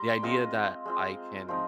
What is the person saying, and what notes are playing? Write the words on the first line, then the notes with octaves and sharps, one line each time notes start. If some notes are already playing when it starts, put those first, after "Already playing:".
The idea that I can
Already playing: G3 A#5 C6
G5
G#3 C4 F4 D#5
G#3 C4 F4
F3 G#3 C4 D#4 C5